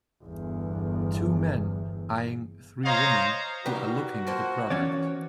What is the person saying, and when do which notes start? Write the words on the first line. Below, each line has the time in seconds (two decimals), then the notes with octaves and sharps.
Two men eeyeing three women who are looking at a product.
0.24 G1 E2
2.85 C5 C#5 D#5 F5 A#5
3.66 D#3 G3 F#4 B4 G5
4.27 F3 A#3 C5
4.70 E3 C#4 C#5 D5